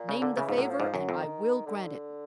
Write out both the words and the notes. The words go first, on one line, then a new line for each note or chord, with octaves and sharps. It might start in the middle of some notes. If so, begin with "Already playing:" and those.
"Name the favor and I will grant it."
Already playing: A#2
C#3
D3
C#3 E3
G#2 F3
A2 F#3
F3
G#2 F3
F#2 F#3
F2 F3
D#3
D3
D#3
D3